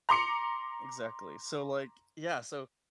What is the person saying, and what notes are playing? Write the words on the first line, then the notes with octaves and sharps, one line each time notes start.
Exactly so like yeah, so
A#5 C6 D6 C#7